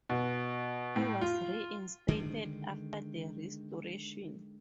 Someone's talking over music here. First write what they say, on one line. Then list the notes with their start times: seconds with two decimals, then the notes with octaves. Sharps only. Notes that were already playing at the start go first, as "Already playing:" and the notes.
He was reinstated after the restoration.
0.09 B2
0.96 A2
1.21 F4
2.08 D3 D#3 G#3